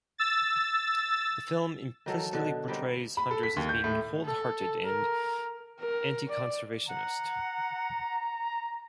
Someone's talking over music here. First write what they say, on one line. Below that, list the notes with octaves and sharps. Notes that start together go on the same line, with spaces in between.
The film implicitly portrays hunters as being cold-hearted and anti-conservationist.
E6 A6
D#3 F#3 A4
B2 D3
D#3 G3 C4
B5
A4
B6
D#2
G6
A2
A4
A#4
A#4
D5
F#5 A#5